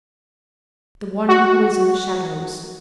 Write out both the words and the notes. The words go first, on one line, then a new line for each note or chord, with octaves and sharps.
The One who is in the shadows.
F#4